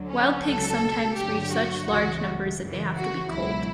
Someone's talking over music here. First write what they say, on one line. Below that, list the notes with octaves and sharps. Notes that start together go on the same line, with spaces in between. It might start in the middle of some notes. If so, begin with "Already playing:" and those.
Wild pigs sometimes reach such large numbers that they have to be culled.
Already playing: D2 D3 F#3
C#4
C#2 B2 F#3 A4
G2 D3 F#3 G4
F#4
C#2 C#3 E3 F#4
F#2 C#3 E3
F#4
C#2 B2 F#3 E4